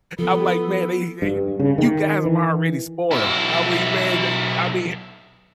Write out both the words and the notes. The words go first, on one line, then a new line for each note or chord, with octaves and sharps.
I'm like, "Man, eh, you eh, you you guys are the ones already spoiled." I re man, I I mean
F3 B3 A4
G2
C#3
D#3
E3
B1 E4